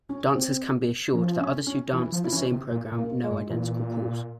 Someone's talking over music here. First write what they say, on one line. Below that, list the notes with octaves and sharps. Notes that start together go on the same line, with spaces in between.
Dancers can be assured that others who dance the same program know identical calls.
C#4
C4
F3 C#4
C#4
C#4
E3 E4
F3
E4
E3 C#4
C3
A#2
A#2
A#3
G#3
G#2
A#2 E3